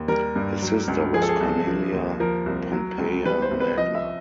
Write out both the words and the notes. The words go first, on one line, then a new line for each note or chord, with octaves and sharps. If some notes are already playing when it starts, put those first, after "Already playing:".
His sister was Cornelia Pompeia Magna.
Already playing: D#2
G3 A#4
G2
F#3
C#2
F3 G#4
A4
G#4
C2
F3
D#2
F3 A#4
C2
F#3
C#2
G3 B4
C5
C2
B4
F3 D#5
E5